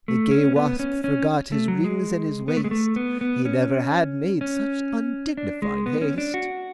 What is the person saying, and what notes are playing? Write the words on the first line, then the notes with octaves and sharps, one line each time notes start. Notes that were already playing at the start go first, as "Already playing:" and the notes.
The gay wasp forgot his rings and his waist, He never had made such undignified haste.
A3
C#4
B3
C#4
C#4
A3
F#3
G#3
B3
A3
G#3
A3
B3
B3
C#4
C#4
D4
G#3
B3
C#4
D4
F#4